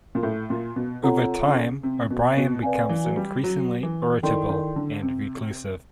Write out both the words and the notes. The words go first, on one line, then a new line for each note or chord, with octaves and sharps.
Over time, O'Brien becomes increasingly irritable and reclusive.
A#2
A2
A#2
B2
C3 F4 A4 C#5 F#5 A#5
C#3
C3
B2
B2
C3 B4 D5 F5 G#5
E3
F#3
G3
F#3
E3
D#3 E4 A4 D5 G5 C6
D#3
D3
C3